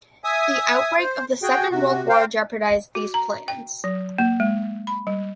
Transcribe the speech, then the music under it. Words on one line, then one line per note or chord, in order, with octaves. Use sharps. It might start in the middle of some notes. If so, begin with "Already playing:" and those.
The outbreak of the Second World War jeopardized these plans.
E5 G#5 D#6
C5
F#4 G#4 G5
C3 F#4
C5 F5 G5
F#4
A#5
G5
F#3
A#3
G#3
B5
G3